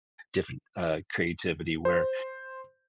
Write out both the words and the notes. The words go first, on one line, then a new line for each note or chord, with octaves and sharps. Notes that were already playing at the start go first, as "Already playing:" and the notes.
different, uh, creativity where,
C5